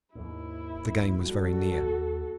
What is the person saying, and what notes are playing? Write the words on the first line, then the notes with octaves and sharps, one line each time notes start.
The game was very near.
D#2 G#2 E4
G3 F#4 A4
D#2